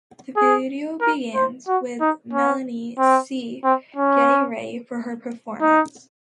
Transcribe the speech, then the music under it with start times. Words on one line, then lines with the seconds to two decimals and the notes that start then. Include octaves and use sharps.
The video begins with Melanie C getting ready for her performance.
0.36 G#4
1.01 A#4
1.35 C5
1.68 F#4
2.01 D#4
2.33 C#4
2.99 C4
3.64 C4
3.96 C#4
5.61 D#4